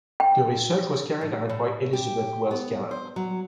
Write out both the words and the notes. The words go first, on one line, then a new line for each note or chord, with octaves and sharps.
The research was carried out by Elizabeth Wells Gallup.
G5
A2
A2
G4
B3
C5
F#3